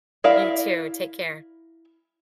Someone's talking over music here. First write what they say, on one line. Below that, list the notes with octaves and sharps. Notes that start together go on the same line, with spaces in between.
You too. Take care.
E4 A#4 D5 E5 F5